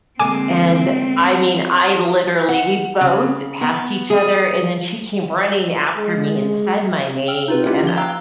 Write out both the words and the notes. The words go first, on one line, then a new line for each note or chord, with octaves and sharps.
And, I mean, I literally we both passed each other, and then she came running after me and said my name, and,
D3 G#3 A#3 C4 G#5 D6
F#5
C#3
B3
G#4
G#3
G5 E6 F6
D#4 F4 B4
A#3 C#4 E4 F4 G4 B4
F3 G7
F5 G5 A#5 E6 F#6